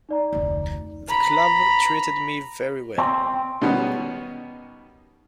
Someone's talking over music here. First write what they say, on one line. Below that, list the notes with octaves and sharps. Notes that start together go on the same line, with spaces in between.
The club treated me very well.
D#4 D5 A#5
F1 D2
A#5 B5
C4
B2 D#3 G3 B3 C#4